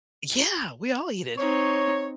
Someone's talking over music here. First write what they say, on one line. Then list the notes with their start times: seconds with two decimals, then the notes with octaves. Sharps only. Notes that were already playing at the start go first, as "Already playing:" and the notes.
Yeah, we all eat it
1.38 C4 D#4 C#5